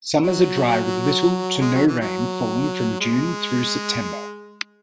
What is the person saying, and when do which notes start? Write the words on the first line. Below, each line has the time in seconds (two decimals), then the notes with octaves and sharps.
Summers are dry with little to no rain falling from June through September.
0.21 F#3
1.61 G#3
1.74 F#3
1.87 E3
2.00 F#3
3.00 G#3